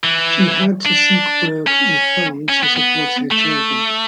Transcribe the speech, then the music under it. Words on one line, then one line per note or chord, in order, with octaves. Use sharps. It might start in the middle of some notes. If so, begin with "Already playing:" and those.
She had to seek work in film to support her children.
E3
D4
C#4
C#4
B3
B3
A3